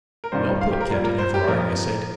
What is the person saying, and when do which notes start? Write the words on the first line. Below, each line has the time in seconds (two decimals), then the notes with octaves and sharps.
"Well put, Captain Everard," I said.
0.24 A#4
0.32 G2 D#3 G3 C5
0.61 F5
0.71 G4
0.81 A#4
0.91 A#2 G3
1.04 A#4
1.18 C5
1.34 G4
1.47 F2 F3 A#4